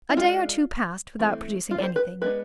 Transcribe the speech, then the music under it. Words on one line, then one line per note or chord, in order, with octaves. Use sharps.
A day or two passed without producing anything.
E4
G#3 D4 F4
E3 A3 C4
F4
D5
C5
B4
G#3 B3 D4 B4